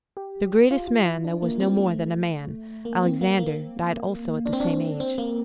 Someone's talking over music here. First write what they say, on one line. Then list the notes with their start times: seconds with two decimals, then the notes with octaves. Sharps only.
The greatest man, that was no more than a man, Alexander, died also at the same age.
0.17 G4
0.71 F4
0.87 F4
1.05 E4
1.24 D4
1.42 A#3
1.60 C4
1.77 A3
2.85 A#3
3.03 C4
3.21 A#3
3.39 A#3
4.46 D4
4.53 C4
4.60 D4
5.00 C4
5.18 A#3